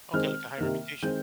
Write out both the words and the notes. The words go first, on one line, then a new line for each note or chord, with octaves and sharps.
Okay, like, a high reputation?
D#3 G#3 C4 F6
C3 D#3 A#3
D#3 G#3 C4 G6